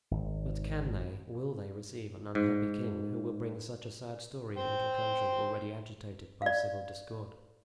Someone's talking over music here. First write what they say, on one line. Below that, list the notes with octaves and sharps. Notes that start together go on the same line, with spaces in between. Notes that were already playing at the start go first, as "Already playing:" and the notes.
But can they, will they receive an unhappy king, who will bring such a sad story into a country already agitated by civil discord?
G#1
G#2
C5 G5
D5 F5